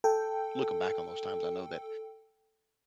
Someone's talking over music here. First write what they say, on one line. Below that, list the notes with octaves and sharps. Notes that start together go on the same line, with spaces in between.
looking back on those times, I know that,
A4 G5